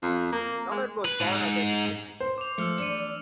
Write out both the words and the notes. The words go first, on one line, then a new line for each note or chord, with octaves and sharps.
Lonard was born at Epping, Sydney.
F2
A#3
G#3
B4
G#2
C5
D6 F7
F3 A3 E6 F6 C#7
E2 D4 D6 C#7 D#7